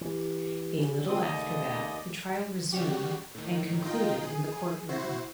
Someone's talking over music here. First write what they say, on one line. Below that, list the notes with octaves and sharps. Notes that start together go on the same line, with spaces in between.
A little after that the trial resumed and concluded in the court room.
E3 G4
C#3
D#3 C4 F4 D#6
D#2 A3 D5 D#5
C#3 G3 F#4 G4
A2 D#3
D#4 F4 D#5 G5
G#4
E4 F#4 C5